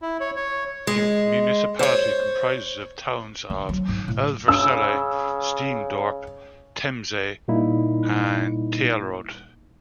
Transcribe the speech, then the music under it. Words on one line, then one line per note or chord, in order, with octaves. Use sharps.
The municipality comprises the towns of Elversele, Steendorp, Temse and Tielrode.
E4
C#5
C#5
G#3
C5 C#5
D3
F#3
G#2
A2
C#3 E6
A#2 G3 A#3 D#4 E4